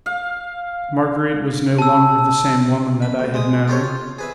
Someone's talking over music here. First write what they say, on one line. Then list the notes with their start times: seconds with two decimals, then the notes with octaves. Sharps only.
Marguerite was no longer the same woman that I had known.
0.06 F5
1.79 A5 E6
3.02 B5
3.19 D2
3.34 G#3 D#6
3.68 F4 G4 A4 C5 C#5
3.83 F4
4.19 G#4 B4 E5